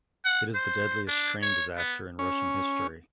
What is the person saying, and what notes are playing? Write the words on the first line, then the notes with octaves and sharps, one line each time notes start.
It is the deadliest train disaster in Russian history.
F#5
C5
D4
C#5
B3
C#4